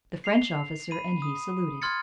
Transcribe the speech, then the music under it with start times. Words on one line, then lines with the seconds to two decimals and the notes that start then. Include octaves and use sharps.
The French officer and he saluted.
0.24 C7 F7
0.91 B5 D#7
1.22 D#6
1.82 C6 F6 G#6 A6 C#7